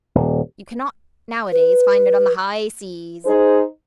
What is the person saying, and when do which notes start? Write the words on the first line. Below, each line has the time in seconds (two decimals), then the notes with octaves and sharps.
You cannot nowadays find it on the high seas.
0.15 D#1
1.52 B4
3.25 D#4 G#4 C5